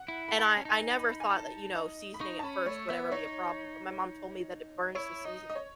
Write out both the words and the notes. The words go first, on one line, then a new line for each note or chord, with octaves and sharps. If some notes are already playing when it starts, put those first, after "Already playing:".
and I I never thought that, you know, seasoning it first would ever be a problem, but my mom told me that it burns the seasoning
Already playing: F#5
E4
B5
E4 A5
D#4
C#4
D#4 G#5
B5
G#5
A5
D#5
B5
D#4 C#6
A5
C#4 B5
A3 C#5
B3 E5
D#4 C#5
E4 C#5
D#4 D#5
D#5
C#5